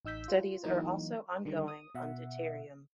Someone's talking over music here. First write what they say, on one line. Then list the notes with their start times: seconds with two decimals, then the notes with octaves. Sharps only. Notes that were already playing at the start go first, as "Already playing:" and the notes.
Studies are also ongoing on deuterium.
0.05 A1 D#4 E6 G6 B6
0.28 F4
0.64 E3 F#3 A#3 D#4
1.45 D3 D#3 G3
1.68 D#6
1.95 B2 E5 F#5